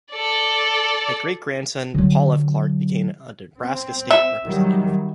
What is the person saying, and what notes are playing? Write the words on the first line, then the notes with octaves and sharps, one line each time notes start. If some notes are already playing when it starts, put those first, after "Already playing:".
A great-grandson, Paul F. Clark, became a Nebraska State Representative.
A4 D5
D3 F#3
C4
E5
D#3 F#3 G3